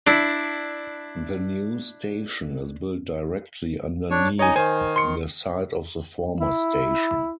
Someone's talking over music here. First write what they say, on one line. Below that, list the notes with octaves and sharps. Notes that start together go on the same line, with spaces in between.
The new station is built directly underneath the site of the former station.
D4 E4
D4 C#5
D#4 C#5 D#5 G#5
D#3 C5 G#5
C6 C#7
E4